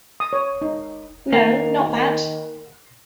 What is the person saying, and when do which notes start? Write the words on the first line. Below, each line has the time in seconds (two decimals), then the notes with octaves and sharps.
No, not that!
0.20 D#6
0.33 C#5
0.62 D#4
1.32 D#3 A#3